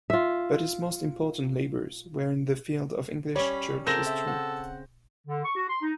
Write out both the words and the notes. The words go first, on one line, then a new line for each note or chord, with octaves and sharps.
But his most important labours were in the field of English church history.
F4 E5
G3 C#4 C#5 B5
C#3 C4 A4 A#4 G6 A#6 E7
E5
F#5
D3
C#6
F#4
C6
D#4